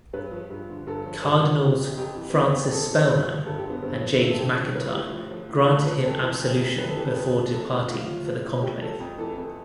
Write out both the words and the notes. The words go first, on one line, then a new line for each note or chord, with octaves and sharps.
Cardinals Francis Spellman and James McIntyre granted him absolution before departing for the conclave.
G2 B4
F3
G2
D3
G2 A4
F3
G2 A4
D3
E3
F2
F2 G4
E3
B3
E3 C4
F2 C4
F2 A4
E3
G2
F3
G2 A4
G4
D3
B3
G2 C4
F3
G2 E4
A4
D3 G4
F3
A2 B4
A2 G4
F3
F3
A2
A2 A4
F3 B4
F2 A4
E3
F2
C3
F2 B4
A4
E3 G4
B4
F2
C3
F3 A4
A2 G4
A2 F4
F3
F3
A2
A2 G4
F3 A4
F2
E3 A4
F2 A4